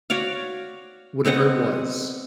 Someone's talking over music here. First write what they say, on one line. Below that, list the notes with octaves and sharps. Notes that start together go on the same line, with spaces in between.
whatever it was
F#4 C#5 D5 F5
B3 C4 D#5 F#5